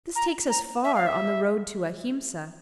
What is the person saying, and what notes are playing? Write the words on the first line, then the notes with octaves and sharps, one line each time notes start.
This takes us far on the road to Ahimsa.
A#5
A#5
E5
F5
E5